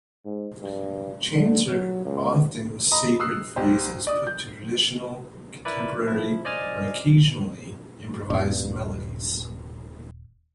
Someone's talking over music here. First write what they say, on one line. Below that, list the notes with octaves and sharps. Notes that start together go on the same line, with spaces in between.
Chants are often sacred phrases put to traditional, contemporary or occasionally improvised melodies.
G#2
G2
D3
F#3
C#2
D#5 A#5 B5 D#6
D#6 E6 F#6 C7
C2 G4 C5
D5 D#6
G6
E4 A#4 B4 D5
F3 E4
C5 D5 D#5 G#5 F6 A6
D#1 G2